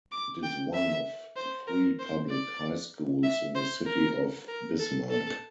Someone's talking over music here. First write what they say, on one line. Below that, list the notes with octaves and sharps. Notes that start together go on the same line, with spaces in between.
It is one of three public high schools in the city of Bismarck.
D6
G5
E5
C5
A#4
C5
D5
E5
C5
A#4
A#4
A4
A4